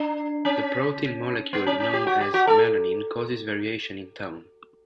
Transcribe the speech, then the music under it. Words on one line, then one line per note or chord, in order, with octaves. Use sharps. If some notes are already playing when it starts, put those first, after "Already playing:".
The protein molecule known as melanin causes variation in tone.
Already playing: D4
C#4
B3
C#4
C#4
G4
F#4
G4
F#4
A4